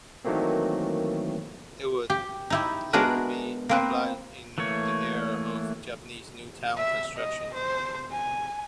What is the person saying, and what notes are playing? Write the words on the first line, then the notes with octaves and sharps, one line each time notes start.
It would later be applied in the era of Japanese New Town construction.
D#3 E3 F#3 A3 A#3 C4
G4
D#4 E4 G4
G#3 B3 D4 F#4 A#4
A#3 C4 B4
E3 A3 A#3 C#5
E5
D#5
C5
G#5